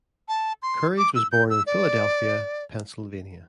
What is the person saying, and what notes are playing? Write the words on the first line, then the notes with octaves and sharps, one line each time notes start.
Courage was born in Philadelphia, Pennsylvania.
A5
C6
D6
E6
G6
E6
D5